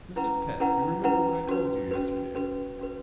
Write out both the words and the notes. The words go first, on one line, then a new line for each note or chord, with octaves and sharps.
"Mrs. Pett, you remember what I told you yesterday?"
C#4 E4 B4 F#5 A#5
C#4 E4 B4 F#5 A#5
C#4 E4 B4 F#5 A#5
C#4 F#4 B4
C#4 F#4 B4
C#4 F#4 B4
C#4 F#4 B4